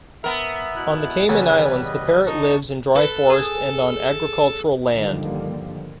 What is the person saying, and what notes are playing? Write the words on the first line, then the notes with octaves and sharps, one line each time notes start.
On the Cayman Islands the parrot lives in dry forest and on agricultural land.
B3 A#4 E5
B2 E4 F#6
E2 C#3 G3 B4 G#5
D#5
D#4 A5 C#6
A4 B4
G#4
G2 D3 D#3 F3 G3 A#3